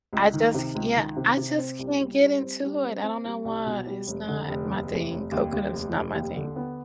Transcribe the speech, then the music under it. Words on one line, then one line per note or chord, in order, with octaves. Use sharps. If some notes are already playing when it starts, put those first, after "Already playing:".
I just c Yeah, I just can't get into it, I don't know why, it's not my thing, coconut is not my thing.
C#2
D#3
C3
C#2
D#3
C3
C3
C4
C2
G3
G3
C4
G3
C4
C4
G3
C2
B2
G3
F1
D3
F1
D#2
F1
F1
D#2
D#2
F1
F1
D#2
D3
B3